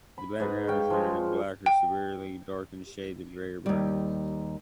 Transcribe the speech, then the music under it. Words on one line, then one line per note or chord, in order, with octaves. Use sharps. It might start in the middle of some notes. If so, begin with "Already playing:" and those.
The background is rendered in black or severely darkened shades of gray or brown.
B5
G#2 B4 A#5
C#5 F5 G5
F3 G#3
G5
D#2 G3